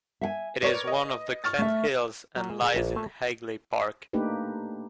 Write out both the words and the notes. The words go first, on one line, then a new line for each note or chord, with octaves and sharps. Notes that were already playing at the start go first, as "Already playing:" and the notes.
It is one of the Clent Hills and lies in Hagley Park.
E5 F5 G#5
A#4 B4 C#5 D5
D#5
C#6 F6 A6
A3 E5
F#3
G#3
G#4
A#1
A3
A3 A#3 D4 D#4 G4 B4